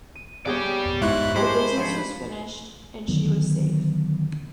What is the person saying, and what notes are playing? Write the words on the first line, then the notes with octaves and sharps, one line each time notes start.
The business was finished, and she was safe.
D#7
A#3 B3 G4 G#4 C#5 D5 G5
G#2 E4 F4 C#6 F#6
G#3 A3 G4 C5 B5
F3 C#5
D3 D#3 F#3 B3